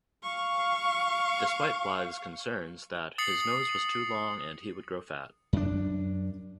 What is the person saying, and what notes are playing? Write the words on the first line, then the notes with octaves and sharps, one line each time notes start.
Despite Blythe's concerns that 'his nose was too long and he would grow fat'.
F5 C#6
D#6 A6 C7 C#7 F#7
F#2 D4